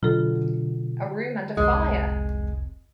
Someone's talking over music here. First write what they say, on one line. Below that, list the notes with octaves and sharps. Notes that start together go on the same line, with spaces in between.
A room and a fire!
B2 D3 F#3 F4 A4
F1 C2 C3 G#3